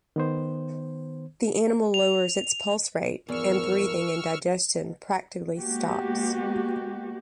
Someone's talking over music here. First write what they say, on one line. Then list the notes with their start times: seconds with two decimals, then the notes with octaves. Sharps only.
The animal lowers its pulse rate and breathing, and digestion practically stops.
0.16 D#3 B3 C5
1.94 F7
3.29 E2 G#2 F3 A#4 C#6 E6 F6
5.57 G#3 A#3 B3 F#4 G4